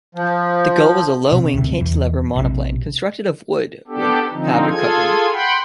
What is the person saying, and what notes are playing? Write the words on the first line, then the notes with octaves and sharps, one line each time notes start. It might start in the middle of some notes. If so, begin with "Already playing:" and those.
The Gull was a low-wing cantilever monoplane, constructed of wood with fabric covering.
F3
C3
D2 C3
E2
A#1 C3
B3 D4 G4 A4
D3 F3 C4 D#4
F4 G#4 A4 G#5 G#6
F#5 G5 B5 C6